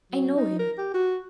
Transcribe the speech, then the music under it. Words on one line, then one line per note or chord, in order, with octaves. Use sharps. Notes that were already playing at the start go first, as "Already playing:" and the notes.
"I know him."
F#3
D#4
A#4
G4
F#4